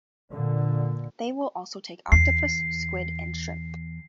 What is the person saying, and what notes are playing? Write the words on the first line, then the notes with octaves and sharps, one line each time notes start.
They will also take octopus, squid and shrimp.
A#2 D3
E2 C7